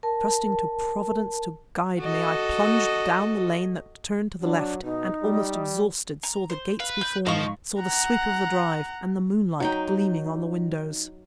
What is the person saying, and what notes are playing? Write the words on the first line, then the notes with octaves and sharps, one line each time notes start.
Trusting to Providence to guide me, I plunged down the lane that turned to the left, and, almost exhausted, saw the gates before me--saw the sweep of the drive, and the moonlight, gleaming on the windows!
A#4 A5
F#4 A4 D#5
F#3 D4
B2 D#4
G3
A#5
C5
B4 F5
G6
G#2 F3 D#5 F5 C#6
F#5 A#5
F#3 D#4 G5